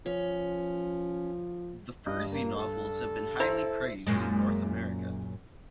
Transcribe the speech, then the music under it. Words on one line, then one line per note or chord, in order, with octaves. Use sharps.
The Fursey novels have been highly praised in North America.
F3 C#4
G2 D#5
A#3
A4
E4 C5 A#5
F#2 A#2 G#3